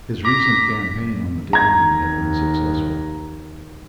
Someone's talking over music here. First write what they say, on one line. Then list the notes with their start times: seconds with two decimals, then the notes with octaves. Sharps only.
His recent campaign on the Danube had been successful.
0.25 A#5 D6 B6
1.53 D#2 A#5 G#6